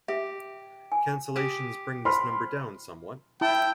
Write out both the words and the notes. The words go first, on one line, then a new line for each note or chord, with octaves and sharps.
Cancellations bring this number down somewhat.
G4 E5
G#5
G4 D#6
E4 C5 B5 C6 F6
E4 G5 A5